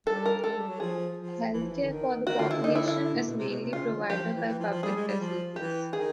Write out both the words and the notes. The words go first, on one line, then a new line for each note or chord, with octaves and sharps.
Health care for the population is mainly provided by public facilities.
G3 A4
A#4
G#3 A4
G3
F#3
F3 G#4
F3
E3
F3
E3
D3
D#3
D#3 F#4
D3 F4
D#3 E4
C#3
D3 D#4
E4
E4
A#2
B2
C3
B2
C3
C#3 F4
D3
F#3
F3 G4
F3
E3
E3
F3
F3
G3 G#4
G#3
G3
F3
E3 G4
D#3 G#4